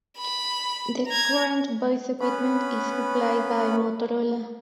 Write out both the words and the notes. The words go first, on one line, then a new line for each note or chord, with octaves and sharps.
The current voice equipment is supplied by Motorola.
B5
A#5 G#6
B3 C#4 B4 B5